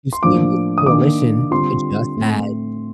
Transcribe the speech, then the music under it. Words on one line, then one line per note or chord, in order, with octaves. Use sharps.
you see this coalition adjust as
C6
A2 F3 A#3 D4 F4 D6
D#6
D#3 A#3 D4 D6
D3 G3 C4 F4 C6
A2 A3 C4